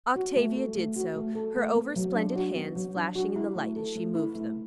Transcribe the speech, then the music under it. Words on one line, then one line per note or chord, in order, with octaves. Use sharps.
Octavia did so, her over-splendid hands flashing in the light as she moved them.
F#4
A3
A4
A3
F#4
A3
A4
A3
B3
F#3
D4
F#4
B3
F#3
D4
F#4
E4
A3
A4
A3
E4
A3